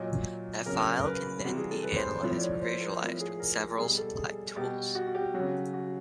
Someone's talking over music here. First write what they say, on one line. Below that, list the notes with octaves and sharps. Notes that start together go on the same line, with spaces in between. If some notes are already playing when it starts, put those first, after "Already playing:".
That file can then be analyzed or visualized with several supplied tools.
Already playing: A#2 F#3 D#5
C#3 F#3 A#4
A#4
B4
C3 E3 G3 F#4
G#4
A4
B4
C5
B4
A2 F3 C5
D5
C#5
C5
A#4
A2 F3 A#4
G#4
A#4
B2 G3 G#4
A4
G#4
B2 G3 G4
F#4
F#4
G4
F#3 F#4
C#3
F#4